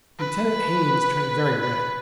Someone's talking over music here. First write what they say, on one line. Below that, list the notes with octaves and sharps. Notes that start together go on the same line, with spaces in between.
Lieutenant Haines turned very red.
B4
B4